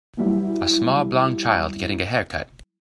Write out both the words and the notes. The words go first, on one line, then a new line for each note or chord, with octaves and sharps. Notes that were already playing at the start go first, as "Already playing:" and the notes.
A small blond child getting a haircut.
E3 F#3 G3 E4